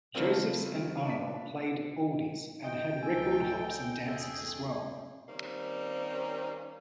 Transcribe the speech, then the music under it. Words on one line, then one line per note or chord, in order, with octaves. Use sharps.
Josephs and Arnold played "oldies" and had record hops and dances as well.
C#3 F3 G3 A3 A#3 C4
D4 B6
D#5 G5
C#2 A3 D#4 A4 G#5
E2 G#4 A4
D#3 G3 A#3 C4 C#4